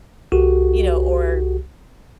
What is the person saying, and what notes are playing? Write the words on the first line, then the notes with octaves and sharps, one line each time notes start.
You know, or,
C2 F#4 G4 A4